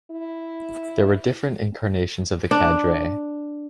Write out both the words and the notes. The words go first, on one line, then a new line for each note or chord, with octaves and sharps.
There were different incarnations of the Cadre.
E4
D4